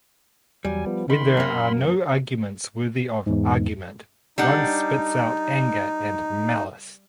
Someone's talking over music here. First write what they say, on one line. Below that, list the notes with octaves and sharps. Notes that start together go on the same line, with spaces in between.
When there are no arguments worthy of argument one spits out anger and malice.
E2 F#3 G3 G#5
F3 B3
D#3 B5 C6
F#2 A#3
E2 G#2
G3 D4 D#4 F#5